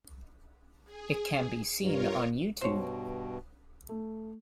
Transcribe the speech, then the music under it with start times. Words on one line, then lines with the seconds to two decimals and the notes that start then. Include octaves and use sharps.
It can be seen on YouTube.
0.85 G#4
1.81 G2 F4 A#4 C#5
2.61 G2 B2 C5 C#5
3.89 A3